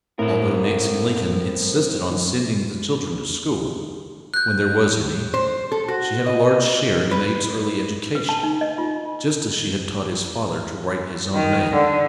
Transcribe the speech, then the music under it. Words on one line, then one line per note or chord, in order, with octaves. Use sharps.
Although Nancy Lincoln insisted on sending the children to school, when there was any, she had a large share in Abe's early education, just as she had taught his father to write his own name.
A2 C4 A#4
F#6 G6
C5
A4
F#4
D#5
B4
B4
A5
D#4
D#5
F4
D#3
D3